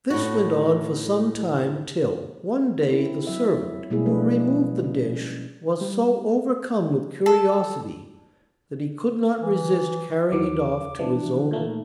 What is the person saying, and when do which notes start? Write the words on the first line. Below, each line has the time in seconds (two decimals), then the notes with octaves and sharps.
This went on for some time till, one day, the servant who removed the dish was so overcome with curiosity, that he could not resist carrying it off to his own room.
0.10 A2 F#4
2.87 C4 E4
3.27 F#3 E5
3.90 B2 G3 G#3 A#3 E4 G#4
4.06 F3 D4 B4
4.84 C#4
5.81 G3
7.26 A4
9.41 E3
10.32 D#2 D#3 E3 D6
10.99 E3 F3 G3 D4
11.51 A#2 A3 A#3 D#4